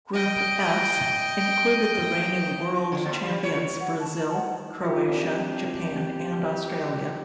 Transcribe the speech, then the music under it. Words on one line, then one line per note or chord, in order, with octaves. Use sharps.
Group F included the reigning World Champions Brazil, Croatia, Japan, and Australia.
D#5 G5
D3
D#2
G3
C#5
F#5
A5
F#5
C#3 F4 G4 E5
C4 D4 G4 D5
G4